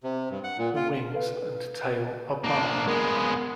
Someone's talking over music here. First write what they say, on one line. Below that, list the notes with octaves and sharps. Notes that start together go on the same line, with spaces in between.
The wings and tail are barred.
C3
G2
F#5
A#2
F4
A4 B4 F5
A#3 D4
G#3 B3 A#4